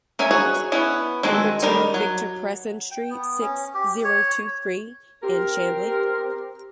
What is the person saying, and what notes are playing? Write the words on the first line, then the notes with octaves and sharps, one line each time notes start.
Number two, Victor Presson Street, six-zero-two-three in Chambly.
C#4 A#4 E5 G#5
F#4 G#4 C#5
B3 C#4 E4
D#3 G#3 C4 F#4 A4
D#3 G3 D#4 A#4
F#3
G5
B3
C#4
G4
C#5
C4 G4 A#4